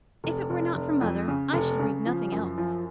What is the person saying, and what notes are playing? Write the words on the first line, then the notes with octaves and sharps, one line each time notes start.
If it were not for mother I should read nothing else.
F1
F1
F1
F2
C#3
F1
C#3
F3
F#2
F3